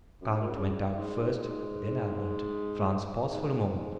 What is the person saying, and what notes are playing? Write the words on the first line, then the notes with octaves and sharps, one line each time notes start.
The count went out first, then Albert. Franz paused for a moment.
F#2
G#2
A#2
C#3
G#2
G#2
A#2
G#2
G#2